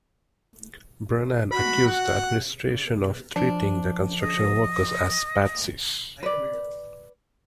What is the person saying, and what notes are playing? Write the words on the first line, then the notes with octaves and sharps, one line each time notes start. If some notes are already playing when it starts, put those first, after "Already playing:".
Brennan accused the administration of treating the construction workers as "patsies".
F#4 B5
F#5
F3 D4
D#5
B4 D5